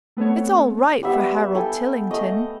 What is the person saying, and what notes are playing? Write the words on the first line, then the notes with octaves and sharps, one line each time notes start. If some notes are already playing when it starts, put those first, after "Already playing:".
It's all right for Harold Tillington.
A3 B3 C4 A4 C#5
G3 B3 E5
A4 G5 G#5
A3 D#5